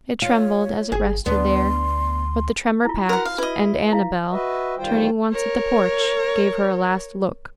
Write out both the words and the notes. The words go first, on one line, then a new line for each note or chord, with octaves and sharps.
It trembled as it rested there, but the tremor passed, and Annabel, turning once at the porch, gave her a last look.
F4 C#5
G1 G#4
D2 B3 D4 C6
E4 F4
F#4 A#4 F#5
F5
E4 B4 D#5
E4 F5
F#4 B4 D#5 E5
E2 D#3 G3 F4 C5 G5
A#4 C#5